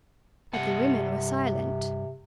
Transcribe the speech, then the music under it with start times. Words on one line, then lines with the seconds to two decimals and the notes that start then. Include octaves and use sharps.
But the women were silent.
0.53 G2 C3 F#5 A5